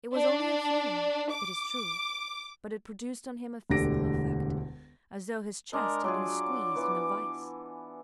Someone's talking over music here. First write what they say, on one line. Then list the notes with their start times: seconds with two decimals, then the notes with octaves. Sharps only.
It was only a feeling, it is true, but it produced on him a physical effect, as though his chest had been squeezed in a vice.
0.15 D4
1.33 D6
3.70 E1 D2 D3 G4 A#6 D7
5.73 G#3 D4 A#4
6.04 F#3 F4 G#4 D6
6.75 E3 B3